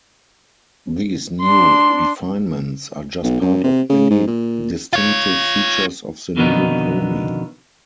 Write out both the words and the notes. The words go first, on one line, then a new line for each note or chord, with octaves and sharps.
These new refinements are just part of many distinctive features of the New Pony.
D4 C6
B1
F#2
C3
C#3
G#2
A#2
F4 C#5
F2 B2 D3 D#3 B3 D#4